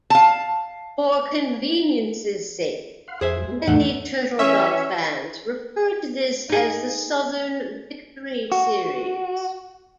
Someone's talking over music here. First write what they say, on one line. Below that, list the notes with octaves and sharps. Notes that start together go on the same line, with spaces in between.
For convenience's sake, many Turtledove fans refer to this as the Southern Victory series.
F5 A5
F5 F#5 C6
F2 G#4 C5 E5
B3
E2 A2 E3 A3 F#5
E3 C#4 E5
D#4 G#4
F#4